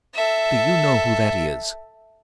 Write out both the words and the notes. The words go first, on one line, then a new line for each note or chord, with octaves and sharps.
"Do you know who that is?"
A4 E5